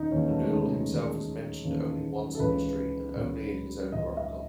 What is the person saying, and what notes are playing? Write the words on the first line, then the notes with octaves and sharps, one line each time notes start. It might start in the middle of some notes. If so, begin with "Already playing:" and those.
Ernoul himself is mentioned only once in history, and only in his own chronicle.
Already playing: D#2 C#3 D#4
D#2 C#3 E3 C#4
A3
G#3
A3
G#4
D#2 C#3 E3
D#2 C#3 E3
A4
C#2 C#3 E3 B4
C#2 C#3 E3
C#2 C#3 E3 D#5
E5